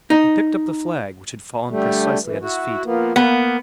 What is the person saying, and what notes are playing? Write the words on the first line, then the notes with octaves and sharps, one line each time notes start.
He picked up the flag, which had fallen precisely at his feet.
D#4
D3 G3 A3
F#2 E3
E4 F#4
F3 A#3 B3
A#3 B3